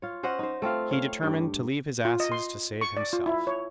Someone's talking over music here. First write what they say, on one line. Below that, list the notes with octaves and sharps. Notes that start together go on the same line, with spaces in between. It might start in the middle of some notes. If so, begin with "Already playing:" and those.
He determined to leave his asses to save himself.
F4 C#5
C#4 C5 D#5 F#5
D#4 C5
A3 C4 F4 F5
C#5 F5
G2 G4
F4
D#5
C6
C#6
D5
F4
E4
C#5